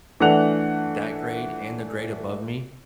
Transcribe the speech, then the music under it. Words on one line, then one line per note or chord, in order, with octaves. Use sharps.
that grade and the grade above me,
E3 A3 D4 F#5 F#6 F7